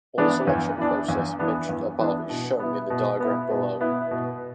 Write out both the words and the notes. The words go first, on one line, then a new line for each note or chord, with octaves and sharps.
All selection process mentioned above is shown in the diagram below.
E3 B3 D4
E2
E3 B3 D4
E2
E3 B3 D4
E2
E3 B3 D4
B2
B3 E4
B2
B3 E4
B2
B3 E4
B2